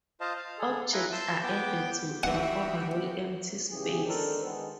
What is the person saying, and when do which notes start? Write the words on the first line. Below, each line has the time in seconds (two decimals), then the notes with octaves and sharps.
Objects are added to an overall empty space.
0.21 F4 C5 D#5 F5 A5
0.36 F5
0.58 G#4 A4
0.93 E4 F4 B4 G#5 A#5
1.12 A5 C6 E6 G6
1.43 B3 G5 D6
2.23 E3 B3 D4 F#4 G4 E5 F#5
3.71 C#2 C#3 E3 G4 G#4
4.05 G#1 D#3 D4 A4 A#4 C5
4.44 D#3 G#3 B3